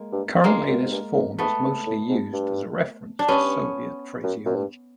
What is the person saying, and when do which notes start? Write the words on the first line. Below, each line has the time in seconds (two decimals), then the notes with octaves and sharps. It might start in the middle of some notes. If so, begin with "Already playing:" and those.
Currently this form is mostly used as a reference to Soviet phraseology.
Already playing: G#3 A#3
0.12 G2
0.44 G2 G#3 A#3
0.67 F#2
0.84 G#2
0.92 G2
1.15 G#2
1.39 G#2 A3 B3
1.62 G2
1.87 A2
2.09 G#2
2.33 G2
3.19 D4
3.28 G2 B3 C#4
4.24 F#2
4.46 F#2
4.55 G2